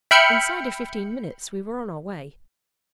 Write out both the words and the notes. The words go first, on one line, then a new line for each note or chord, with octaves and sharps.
Inside of fifteen minutes we were on our way.
E5 G5 B5 F6 G6 C#7